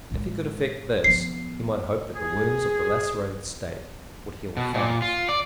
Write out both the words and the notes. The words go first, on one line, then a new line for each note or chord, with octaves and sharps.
If he could effect this, he might hope that the wounds of the lacerated State would heal fast.
A2 G#3
F3 B3 C7
G#4
B2
A#2
F4
D5